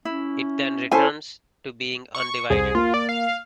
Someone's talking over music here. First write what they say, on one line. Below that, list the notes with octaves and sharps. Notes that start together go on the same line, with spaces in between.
It then returns to being undivided.
C#4 E4
C#4 E4 A4 C5 G#5
C#6
C2 G#4 C5 G#5
A#3 F4
D5
F5